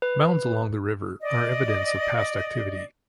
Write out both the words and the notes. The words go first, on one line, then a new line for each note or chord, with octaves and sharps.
Mounds along the river are evidence of past activity.
B4
D5 D#5